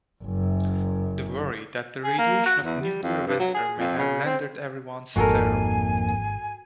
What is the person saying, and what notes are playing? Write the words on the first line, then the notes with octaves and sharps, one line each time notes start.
They worry that the radiation of the nuclear winter may have rendered everyone sterile.
F#1 F#2
G#4
A#3
F#4
E2
G3
F2
G2
F#3
G#4
F2
C#3
C4
G#1 F2 A#3 D#4 F#4 A4 A#4 G#5